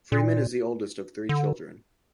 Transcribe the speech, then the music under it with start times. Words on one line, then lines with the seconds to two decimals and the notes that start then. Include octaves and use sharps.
Freeman is the oldest of three children.
0.12 A#2
1.29 D3